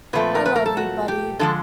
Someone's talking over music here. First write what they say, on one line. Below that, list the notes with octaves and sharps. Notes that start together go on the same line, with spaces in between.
I love you, buddy.
A#2 F3 A3 C4 B4
A#4
B4
A#4
A4
F#4
G4
D3 F3 G#3 A4